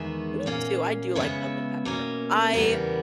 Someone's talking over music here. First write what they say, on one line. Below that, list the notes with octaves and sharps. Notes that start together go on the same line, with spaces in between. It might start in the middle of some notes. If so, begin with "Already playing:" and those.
Me too, I do like lemon pepper, I
Already playing: E2 D#3 G#3 B3 E5 G#5
A#2 A#3 C#4
C#3 G#3 B3 C#5 E5
B2 A#3 C#4
E2 C#3 E3 G3 B3 A#4 C#5